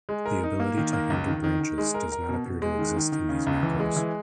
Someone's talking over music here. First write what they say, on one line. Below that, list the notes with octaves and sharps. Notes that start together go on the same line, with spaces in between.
The ability to handle branches does not appear to exist in these macros.
G#3
A#4
D#4
A#3
D#3
A#3
C#2
D#3
D#3
D#3
G#3
A#4
A#4
B2
B2
G#3
D#3
D#3
D#3
C#3
C#2
E3
G#3
E3